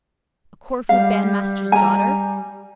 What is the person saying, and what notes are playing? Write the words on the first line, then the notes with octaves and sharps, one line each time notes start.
A Corfu bandmaster's daughter!
G3 F5
G#5 A#5